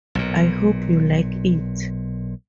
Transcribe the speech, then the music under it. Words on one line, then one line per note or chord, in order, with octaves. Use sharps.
I hope you like it.
B1 A#2